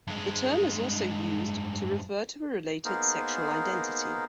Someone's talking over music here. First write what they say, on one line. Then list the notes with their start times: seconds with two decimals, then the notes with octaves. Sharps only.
The term is also used to refer to a related sexual identity.
0.08 G2 G#3
2.85 A#3 B3 D#4 G#4 A#4 C5